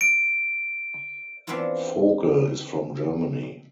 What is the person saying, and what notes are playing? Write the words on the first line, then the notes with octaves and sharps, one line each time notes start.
Vogel is from Germany.
D7
E3 B3 C4 D4 E4 F4